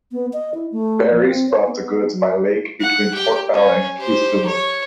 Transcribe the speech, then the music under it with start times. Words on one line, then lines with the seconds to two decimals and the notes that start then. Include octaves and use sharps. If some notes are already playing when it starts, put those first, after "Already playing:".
Ferries brought goods by lake between Port Bell and Kisumu.
0.12 B3
0.33 D#5
0.54 E4
0.72 A3
1.11 F3
1.27 C4
1.49 C#5
1.67 B3
2.12 F#3
2.81 F#5
3.13 G4 G5
3.53 C#4
3.98 G4 C5
4.47 C#5